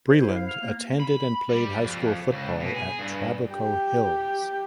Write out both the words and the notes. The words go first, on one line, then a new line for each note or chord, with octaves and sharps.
Breeland attended and played high school football at Trabuco Hills.
C5
E4
F5
F6
A#3
B5
G3
F2
C#2
B2
G#4
G2
G4 G5